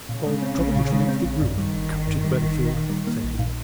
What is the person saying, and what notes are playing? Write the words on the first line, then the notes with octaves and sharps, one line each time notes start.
"I'll trouble you to leave the room, Captain Bellfield," said he.
A#2 C#3
G#3
C4
A#1
A#2
G#3
C4
A#1
G2 D#3
G3
G1
G1
G2
G3
G1
G1
A#2
G3
A#3
A#1
A#2